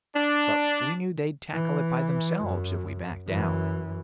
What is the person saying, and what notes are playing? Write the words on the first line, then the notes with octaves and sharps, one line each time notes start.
But we knew they'd tackle it by themselves if we backed out.
D4
E3
F#2
F#2 E3